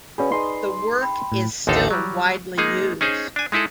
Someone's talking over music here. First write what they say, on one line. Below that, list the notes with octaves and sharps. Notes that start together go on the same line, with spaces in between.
The work is still widely used.
C#4 F#4 G#4 B4 D5 B5
D#4 G#4 D#5 C6
G5 B5
A2
A1 D#2 D3 D#4 A4 F5
F#3 G3
G#3 A#3 D#4 G#4
C#4 D#4 G#4 C5
D4 G#5
G#3 D#4 E4 G#4 A4